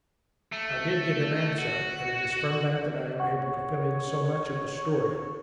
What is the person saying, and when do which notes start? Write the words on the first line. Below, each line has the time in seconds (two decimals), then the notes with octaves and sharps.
I did get an answer, and it is from that that I am able to fill in so much of the story.
0.52 A3
1.58 F#4
3.20 C#5 F#5 C#6